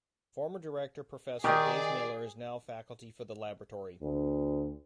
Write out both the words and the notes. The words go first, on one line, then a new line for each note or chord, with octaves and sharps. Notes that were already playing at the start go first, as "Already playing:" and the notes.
Former director Professor Dave Miller is now faculty for the laboratory.
D#3 G4 G#4 D5
D2